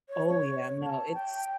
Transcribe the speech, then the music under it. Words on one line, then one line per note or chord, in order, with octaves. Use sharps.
Oh, yeah. No, it's
C#5
C#5
A5
G5